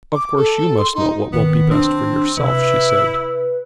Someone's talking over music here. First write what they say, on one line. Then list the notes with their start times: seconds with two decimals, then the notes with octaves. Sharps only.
"Of course you must know what will be best for yourself;" she said.
0.14 D6
0.36 A4
0.78 C6
0.95 D#4
1.32 B1 D#3 B3 C4
1.71 D#3 C4 D4 E4
2.37 C3 E4 B4